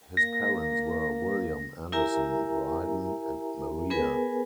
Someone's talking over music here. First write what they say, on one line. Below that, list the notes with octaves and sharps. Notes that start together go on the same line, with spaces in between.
His parents were William Anderson Bryden and Maria.
A#3 A#6
E4 G4 A#4 E5 G#5 A#5
B3 G#4 A#4 B4 G#5